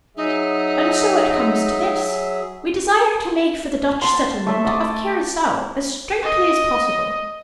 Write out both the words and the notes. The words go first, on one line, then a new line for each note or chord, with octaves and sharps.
And so it comes to this: We desire to make for the Dutch settlement of Curacao as straightly as possible.
F#3 D#4 G#4 E5
A5 C6
A3 E5
D#5 A5 D6
D#5